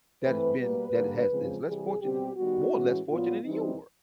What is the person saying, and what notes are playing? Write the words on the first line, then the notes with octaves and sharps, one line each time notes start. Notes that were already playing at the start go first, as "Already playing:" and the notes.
that it's been that it has this less fortunate, more or less fortunate, than you were."
E3 A3 C4 B4
B2 G3 A#3 B4
D3 G3 A#3
C#3 F3 G#3 C4
C3 E3 G3 G#4
B2 G3 C4 G4
D#3 G3 B3 F#4
A2 E3 G#3 C#4
A#2 F#3 B3 F4
E3 G3 C4 D#4